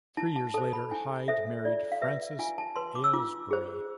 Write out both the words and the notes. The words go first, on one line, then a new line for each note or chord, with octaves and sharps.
Three years later, Hyde married Frances Aylesbury.
E4 A5
A5
A4 C5 A5
B5
E4 G#5
A4 C5 E5
F4 D5
F5
B4 E5
F4 G#5
A5
B4 C6
D6
E6
F4 D6
G#4 C5